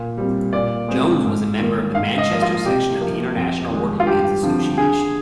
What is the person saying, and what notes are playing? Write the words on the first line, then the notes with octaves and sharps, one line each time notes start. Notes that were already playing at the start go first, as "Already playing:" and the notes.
Jones was a member of the Manchester section of the International Workingmen's Association.
Already playing: A#2
G3 C4
A#2 D5
G#3 C4
G#2
D#3 A#3
G#2 F5
D#5
F3 A#3
F4
C3 G4
F3 A#3
F2
D#3 G#3
F4
G2 G4
D3 F3 C4
D3 G#4